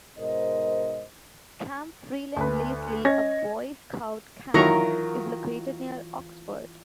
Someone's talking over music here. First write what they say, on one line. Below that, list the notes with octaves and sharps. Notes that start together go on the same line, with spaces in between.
Camp Freeland Leslie, a Boy Scout camp, is located near Oxford.
G#2 B2 A#4 C5 D#5
D2 B4
C#4 D#5 G#6 A#6
D#3 E3 F#3 E4 F4 A#4 A#5 C#6